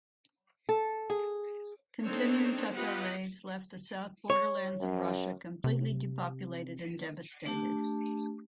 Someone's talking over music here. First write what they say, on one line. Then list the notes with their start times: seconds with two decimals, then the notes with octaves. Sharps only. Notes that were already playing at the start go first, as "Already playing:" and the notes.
Continuing Tatar raids left the south borderlands of Russia completely depopulated and devastated.
0.69 A4
1.10 G#4
2.03 A#3 C4 D4 D#4 A4 C#5
2.71 B3 F4 G4 B4 D#5 F#5
4.30 C#5
4.81 F#2
5.64 C3
7.45 A3 D4 G4 A5